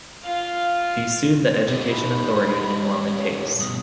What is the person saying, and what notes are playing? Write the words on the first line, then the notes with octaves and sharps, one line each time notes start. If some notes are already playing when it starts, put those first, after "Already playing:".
He sued the education authority and won the case.
F4 F5
G3 D#4 C5
B5
C#5
G2 B2 D#6